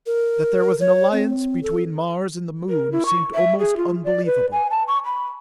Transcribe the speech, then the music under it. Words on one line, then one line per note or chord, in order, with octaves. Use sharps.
That there was an alliance between Mars and the Moon seemed almost unbelievable.
A#4
C#5
C4
A4
A#4
E4
C#6
E5
G#4
F4
D5
B4
G#5
A5
C#6
B5